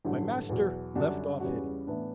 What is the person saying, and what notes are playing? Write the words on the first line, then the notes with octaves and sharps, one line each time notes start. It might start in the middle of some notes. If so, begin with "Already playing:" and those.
My master left off hitting me.
A1 G2 D3 F#3
E2 B2 F#3
F#2 D3 G3 D4 F#4
E2 C#3 G3 C#4 F#4
A2 E3 B3 D4